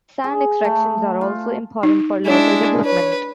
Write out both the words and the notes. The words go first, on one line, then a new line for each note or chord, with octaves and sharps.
Sand extractions are also important for local development.
G#4
A3
F4
D#4
G#3 D4 E4
B4 C#5